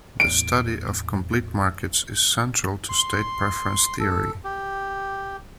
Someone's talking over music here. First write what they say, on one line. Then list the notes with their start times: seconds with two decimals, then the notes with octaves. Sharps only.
The study of complete markets is central to state-preference theory.
0.20 E2 A2 D7
2.89 C6
4.00 A4
4.44 G4